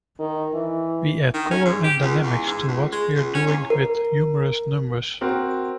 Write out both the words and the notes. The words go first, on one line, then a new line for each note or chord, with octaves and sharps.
We add color and dynamics to what we're doing with humorous numbers.
D#3
E3
D#3
C#4
G#2
G4
C#2
E2
G#2
C#2
G#3
C#2
C#4
E2
A#4
C4 F#4 A#4